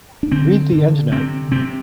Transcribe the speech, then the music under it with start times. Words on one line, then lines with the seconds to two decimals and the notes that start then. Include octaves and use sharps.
Read the endnote.
0.23 D4
0.32 D3 C4
0.72 D3
1.11 C3 C4
1.52 C3 C4